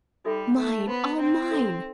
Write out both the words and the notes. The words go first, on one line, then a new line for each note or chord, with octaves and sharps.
"Mine, all mine!"
G3 D#4 F#4 A4 E5
A3
B3 C5 F#5 C6
C4
D#4 F#4 A4 E5